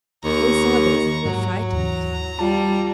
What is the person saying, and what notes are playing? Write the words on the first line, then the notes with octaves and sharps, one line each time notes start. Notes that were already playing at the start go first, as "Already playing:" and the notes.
They saw this, and were frightened.
D#2 A#5 C#6
G#2 F#3
D#2 E3 A#5
G3 F4 A5